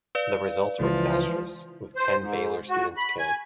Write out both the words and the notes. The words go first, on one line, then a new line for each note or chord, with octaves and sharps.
The results were disastrous, with ten Baylor students killed.
B4 D5 F5
C#2 E3 F3
C5
G#2
F#4
B5
G#5